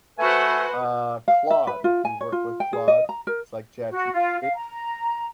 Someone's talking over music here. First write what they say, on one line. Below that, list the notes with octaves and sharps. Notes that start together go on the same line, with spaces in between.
uh, Claude, if you work with Claude, it's like ChatGPT
A3 F#4 B4 C5 F#5 G#5
F5
E5
B4
F4
G#5
C#5
F4
G5
G#4
D#5
A#5
A#4
F#4
F4
F5
A#5